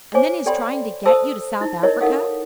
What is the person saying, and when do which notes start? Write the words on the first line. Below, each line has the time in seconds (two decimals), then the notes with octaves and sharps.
And then his trying to get you to South Africa.
0.14 C5 C#5 G#5 D6
0.46 A4 D5 G5 B5 C6
1.06 A4 C5 A5 D#6 E6
1.61 D#4 E4
1.83 E4 A#4 C#5 D#5
2.01 D#4 A4 A#4 F5 F#5 D#6